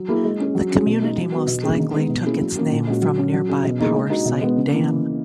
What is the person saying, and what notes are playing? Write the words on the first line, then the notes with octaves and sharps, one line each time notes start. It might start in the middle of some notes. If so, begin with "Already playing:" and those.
The community most likely took its name from nearby Powersite Dam.
Already playing: F#3
A#3 E4 G#4
G#3
C#4 G#4
F#3
C#4 G#4
B2
G#3 D#4
F#3
B3 F#4
B2
A#3 C#4 G#4
D#3
G#3 B3 D#4
B2
A#3 C#4 E4 G#4
F#3
A#3 C#4 F#4
A#2
G#3 C#4 F#4
F#3
C#4 F#4
F#3
C#4 G#4
B2
A#3 D#4 G#4
G#3
D#4 F#4
B2
G#3 B3
C#3
E3 A#3